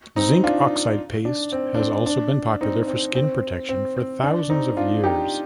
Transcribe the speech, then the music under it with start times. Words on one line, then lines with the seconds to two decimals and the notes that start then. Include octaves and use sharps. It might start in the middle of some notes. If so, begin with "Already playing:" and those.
Zinc oxide paste has also been popular for skin protection for thousands of years.
0.16 C4 D#4
0.44 D4 F4
1.25 D4
1.52 C4
1.74 D4
1.79 C4
2.06 D4
2.61 C4 D#4
2.87 C4
3.15 C4
3.69 C4
3.96 C4
4.23 D4
4.49 C4 D#4
4.77 D4 F4
5.04 D#4 G4